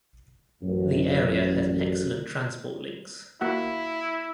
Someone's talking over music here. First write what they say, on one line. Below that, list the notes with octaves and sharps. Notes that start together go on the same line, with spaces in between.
The area has excellent transport links.
A1 F#2
A#3 E4 F#4 F#5